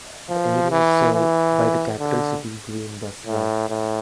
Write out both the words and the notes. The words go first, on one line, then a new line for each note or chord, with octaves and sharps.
The area is served by the Capital City Green bus route.
F3
E3
E3
D3
A2
A2